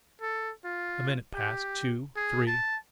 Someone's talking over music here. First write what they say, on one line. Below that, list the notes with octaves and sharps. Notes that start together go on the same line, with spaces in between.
A minute passed--two--three.
A4
F4
G4
G#4
A5